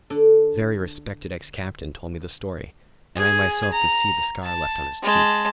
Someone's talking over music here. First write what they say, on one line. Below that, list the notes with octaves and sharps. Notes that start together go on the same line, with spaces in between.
"A very respected ex-captain told me the story, and I myself could see the scar left on his cheek."
D3 D4 A4
G#4 G#5
A#5
A5
G#3 A5